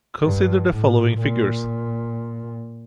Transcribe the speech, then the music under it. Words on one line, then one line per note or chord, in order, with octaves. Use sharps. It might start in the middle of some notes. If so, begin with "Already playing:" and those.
Consider the following figures.
G2
A2
A#2